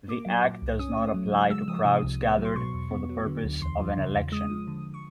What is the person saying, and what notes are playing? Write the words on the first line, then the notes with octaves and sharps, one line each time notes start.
The act does not apply to crowds gathered for the purpose of an election.
A#3 D6
F#3
A#2
C2
C#4 D#6
A3
F#3
C#3
G#3 E6
F3 D#6
C3 D#6
C2
B3
F#3
C6
B2 C#6
E2
B3
F#3
D3
D2
E2 C6
F3
C#3
E2
G#3 D#6
F3
D3
C#6